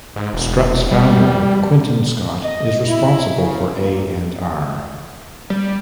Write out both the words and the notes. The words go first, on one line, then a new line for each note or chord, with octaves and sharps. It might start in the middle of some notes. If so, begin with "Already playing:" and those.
Strut's founder, Quinton Scott, is responsible for A and R.
G#2
E1
G3
D#5
E4
C#3
A#2
G3